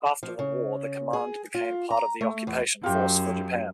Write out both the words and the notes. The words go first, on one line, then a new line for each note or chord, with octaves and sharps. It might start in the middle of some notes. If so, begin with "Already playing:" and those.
After the war the command became part of the occupation force for Japan.
F3
C#3
G#4
F4
A#5
A3
E2
F#2 F4 G4